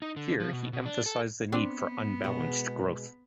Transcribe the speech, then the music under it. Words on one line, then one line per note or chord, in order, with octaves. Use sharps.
Here he emphasized the need for unbalanced growth.
D#4
D3
F3
B2
B2
D4
A4
B3 C4 D4
B2 G#3 F#4